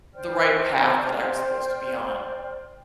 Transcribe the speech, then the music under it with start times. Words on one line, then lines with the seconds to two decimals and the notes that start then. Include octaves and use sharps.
the right path that I was supposed to be on,
0.14 C5 D5 G5 F6